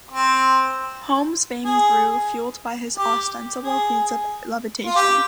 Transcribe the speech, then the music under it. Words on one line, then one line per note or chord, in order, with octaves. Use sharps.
Home's fame grew, fuelled by his ostensible feats of levitation.
C4
G#4
G4
G#4
F4
G4